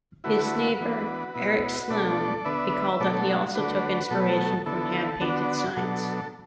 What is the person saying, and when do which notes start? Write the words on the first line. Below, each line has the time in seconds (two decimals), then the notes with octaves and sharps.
His neighbour, Eric Sloane, recalled that he also took inspiration from hand-painted signs.
0.24 D3 A3 E4 F#4 B4
0.80 E3 B3 D4
1.34 B2 B3 E4
1.90 B2 A3 D4 A4 D5
2.45 D3 B3 D4 B4 E5
3.00 B2 F#3 A3 D4 A4 D5
3.14 A4
3.28 F#4
3.41 F#4
3.55 D3 A3 D4 F#4 B4
4.11 B2 F#3 A3 A4
4.20 B4
4.29 A4
4.66 D3 B3 E4 A4
5.21 D3 B3 D4 F#4
5.76 B2 F#3 D4 A4